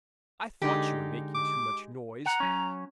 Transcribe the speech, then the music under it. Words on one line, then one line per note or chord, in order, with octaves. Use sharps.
'I thought you were making too much noise.'
D3 G#3 D#4 G4
D6
F#5 A#5
F#3 C#4